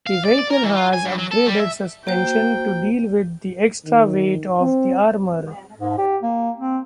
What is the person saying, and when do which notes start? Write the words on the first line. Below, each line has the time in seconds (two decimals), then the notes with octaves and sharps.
The vehicle has upgraded suspension to deal with the extra weight of the armour.
0.06 F5
0.25 D5
0.39 D5
0.50 A#4
0.63 E3
0.75 F4
0.93 G#5
1.05 G2
1.18 F#3
1.31 A4
1.47 G3
1.60 E5
2.07 A#3 F#4 C5 G5
3.86 D#3
4.60 C4
5.79 G#2
5.98 G4
6.22 A#3
6.58 C4